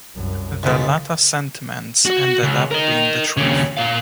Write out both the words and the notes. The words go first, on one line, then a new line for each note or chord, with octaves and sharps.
The latter sentiments ended up being the truth.
C2 F#2
C#2 G#2 D3 D#3
F#4
C#2
A#4 D#5
D#2 C#3
A#2 F5